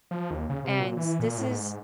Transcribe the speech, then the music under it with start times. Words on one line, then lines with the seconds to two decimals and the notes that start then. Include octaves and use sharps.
And this is
0.11 F3
0.31 D#2
0.49 C#3
0.64 C3
0.79 A#2
0.97 E3
1.19 A#2
1.37 A2
1.51 G#2
1.70 G#2